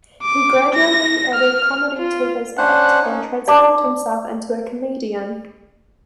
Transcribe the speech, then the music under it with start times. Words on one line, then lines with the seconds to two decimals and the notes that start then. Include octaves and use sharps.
He gradually added comedy to his act, and transformed himself into a comedian.
0.23 D6
0.75 A#6
1.34 F6
1.97 F4
2.58 C#4 D4 C5 F#5 F#6
3.02 C#4 D#4
3.48 D5 A5 D6